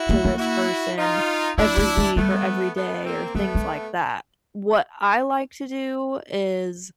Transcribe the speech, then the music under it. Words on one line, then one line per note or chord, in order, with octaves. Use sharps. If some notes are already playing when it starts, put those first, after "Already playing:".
to this person every week or every day or things like that," what I like to do is,
Already playing: E4 F#4
A#3
A#3
E4 F#4
D#4 F4
A3 D4 E4
A3
G#3
G3 A3 B3
A3 B3
A#3 C4
G3 A3 B3
G#3